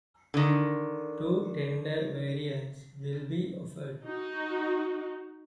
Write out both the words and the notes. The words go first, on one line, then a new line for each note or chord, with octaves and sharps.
Two tender variants will be offered.
D3 D#3
D#4 F#4